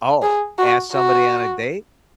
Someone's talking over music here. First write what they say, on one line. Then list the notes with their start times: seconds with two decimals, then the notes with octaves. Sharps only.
Oh, ask somebody on a date?
0.23 G#4
0.58 F#4
0.93 F#4